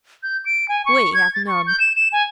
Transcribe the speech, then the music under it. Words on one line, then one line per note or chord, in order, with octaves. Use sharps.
We have none.
G6
D7
G#5
C#6
G#6
A6
C#6
G6
E7
E7
G#5